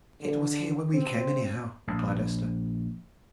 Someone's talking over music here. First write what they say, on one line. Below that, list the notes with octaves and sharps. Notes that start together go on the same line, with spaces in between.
"It was here when we came, anyhow," replied Esther.
D3
C4
A#1